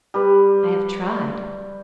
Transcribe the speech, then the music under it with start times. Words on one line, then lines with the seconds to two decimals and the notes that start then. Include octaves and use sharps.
I have tried.
0.14 G3 B4